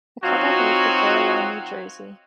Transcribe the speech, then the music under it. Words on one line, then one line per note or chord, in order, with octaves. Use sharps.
The couple moved to Fair Lawn, New Jersey.
F#3 C4 D#4 F4 F#4